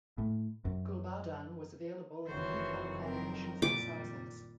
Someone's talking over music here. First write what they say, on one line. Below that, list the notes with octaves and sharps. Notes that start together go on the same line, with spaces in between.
Gulbadan was available in many color combinations and sizes.
A2
F#2
F#1 F2 D#3 E3 F#4 C5 C#5
F#3 C4 A#4
A#2 G3 D6